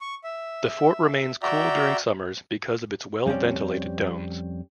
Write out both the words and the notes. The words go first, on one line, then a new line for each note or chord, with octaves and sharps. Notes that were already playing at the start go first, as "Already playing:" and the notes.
The fort remains cool during summers because of its well ventilated domes.
C#6
E5
F#4 D5 E5 G5 A#5
F2 G3 C4 C#4 D5